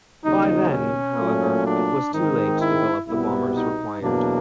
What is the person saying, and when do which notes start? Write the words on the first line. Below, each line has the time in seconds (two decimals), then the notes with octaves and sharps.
By then, however, it was too late to develop the bombers required.
0.23 D#2 C#3 F#3 D#4
0.71 C#4
1.18 A#2 F#3 A3
1.66 D4
2.12 G#2 D#3 G#3 C4 D#4
2.61 E4
3.07 C2 B2 G3 B3 E4
3.55 D#4
4.01 E2 B2 F#3 A#3 D4